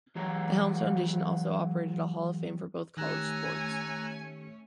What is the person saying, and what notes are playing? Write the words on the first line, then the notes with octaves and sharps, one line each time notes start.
The Helms Foundation also operated a hall of fame for both college sports.
E3 F#3 G#3 G4 C#5 A#5
D#3 A3 C#4 G4 G#5 A#5 E6 F#6